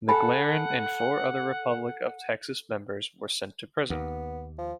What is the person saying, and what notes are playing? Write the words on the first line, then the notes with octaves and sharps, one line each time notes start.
McLaren and four other Republic of Texas members were sent to prison.
A4 F#5 G#5 B5
D#2 B3
F3